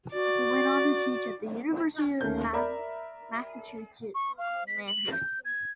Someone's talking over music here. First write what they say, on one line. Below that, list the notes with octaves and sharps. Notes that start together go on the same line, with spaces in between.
He went on to teach at the University of Massachusetts Amherst.
F#4 D5
D#2 A3 C#4 A#4 G6
A#4 D5 E5 A#5 B5
C#6
F5
B6
F#7
G6
G#6